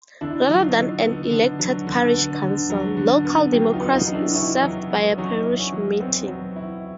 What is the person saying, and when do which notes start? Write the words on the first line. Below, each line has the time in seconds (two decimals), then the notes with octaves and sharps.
Rather than an elected parish council, local democracy is served by a Parish meeting.
0.21 D3 D4 E4
0.49 F#3
0.62 D#4 F4
0.77 D3
1.04 B3
1.31 D3
1.59 F#3
1.87 D3
2.14 B3
2.42 D3
2.70 F#3
2.97 D3
3.25 B3
3.52 F#3 F4 G4
3.73 D#4 F4
3.80 B3
3.93 D#4 F4
4.07 F#3
4.14 D4 E4
4.34 C#4 D#4 E4
4.63 F#3
4.90 B3
5.18 F#3 C#4 D#4
5.45 E4
5.60 C#4
5.72 F#3
6.00 B3 C4
6.28 F#3
6.56 E4